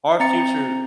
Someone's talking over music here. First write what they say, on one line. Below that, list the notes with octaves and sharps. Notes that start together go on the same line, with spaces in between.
Our future
C4 A#5 A6 C#7